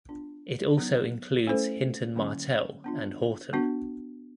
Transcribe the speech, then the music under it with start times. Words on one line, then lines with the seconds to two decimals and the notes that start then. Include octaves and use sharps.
It also includes Hinton Martell and Horton.
0.08 B3 D4 F4
0.77 F#3 B3 D#4
1.47 A3 C#4 E4 A4 C5
2.16 D3 F#3 A#3 C#4 E4
2.84 B3 D4 F4
3.53 B3 D4 F#4